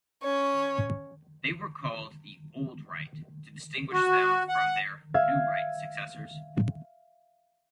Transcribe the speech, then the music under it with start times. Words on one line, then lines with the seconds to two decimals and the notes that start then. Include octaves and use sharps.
They were called the "Old Right" to distinguish them from their New Right successors.
0.23 C#4 C#5
3.93 F#4
4.49 F#5
5.14 E5 F5 G#6